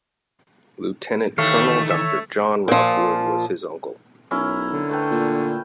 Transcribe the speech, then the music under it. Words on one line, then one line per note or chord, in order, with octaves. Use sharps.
Lieutenant Colonel Dr John Rockwood was his uncle.
D#3 E3 A3 G4 C#5 F5
C#5 E5
A#2 F3
B1 C#4 E4 A#4
D3
A3 B4 G5
A#2